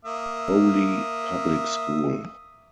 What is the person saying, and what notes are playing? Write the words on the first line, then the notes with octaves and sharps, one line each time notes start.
Crowle Public School.
A#3 E5 D#6